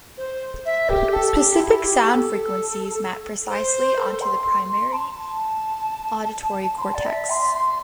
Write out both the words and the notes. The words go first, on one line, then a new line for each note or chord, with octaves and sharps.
Specific sound frequencies map precisely onto the primary auditory cortex.
C5
E5
G4
A4
G4
E4
G4
A4
C5
A4
C6
C6
C6
A5
C6
A5
D5
E5
C6
C6